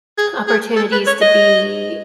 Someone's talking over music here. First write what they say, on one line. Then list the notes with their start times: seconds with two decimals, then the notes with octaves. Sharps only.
opportunities to be
0.18 G#4
0.47 G#4
0.76 A4
0.92 B4
1.07 C#5
1.21 D#5